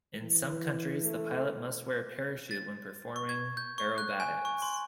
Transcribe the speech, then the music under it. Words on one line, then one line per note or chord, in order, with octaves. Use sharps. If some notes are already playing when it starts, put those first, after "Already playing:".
In some countries, the pilot must wear a parachute when performing aerobatics.
E3
A3
A6
C#6
G#6
G6
C#6
F#6
G#5
C#6
C6